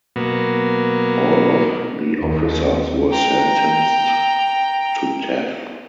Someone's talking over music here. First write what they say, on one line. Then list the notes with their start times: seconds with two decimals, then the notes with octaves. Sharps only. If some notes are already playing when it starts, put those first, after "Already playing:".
All of the officers were sentenced to death.
0.16 B2 F#3 A#3 B3
2.21 D#2
3.11 G5 A#5